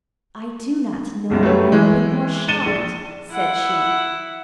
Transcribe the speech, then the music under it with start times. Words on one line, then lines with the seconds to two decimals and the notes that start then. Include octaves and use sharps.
"I do not know when I have been more shocked," said she.
1.30 F#1 B1 F#2
1.43 F#3 G3 A3 B4 C#5
1.72 E3 G#3
2.48 A6 C#7 D#7 E7 G7
2.66 A#1
3.31 E4 F#5